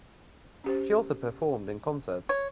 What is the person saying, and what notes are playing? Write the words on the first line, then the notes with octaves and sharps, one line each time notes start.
She also performed in concerts.
C#4 G4 C5
C#5